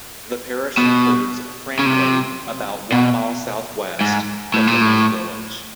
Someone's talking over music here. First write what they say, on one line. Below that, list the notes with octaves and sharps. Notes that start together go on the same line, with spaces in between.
The parish includes Frandley about one mile south west from the main village.
B2
C#3
C3
B2
G#2
A2
A#2
A2